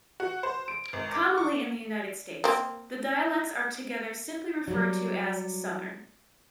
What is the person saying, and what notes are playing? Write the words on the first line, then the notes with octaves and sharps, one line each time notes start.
Commonly in the United States, the dialects are together simply referred to as Southern.
F#4
C5
D7
G#1
D6
C#6
A#3 C4
F#3 G3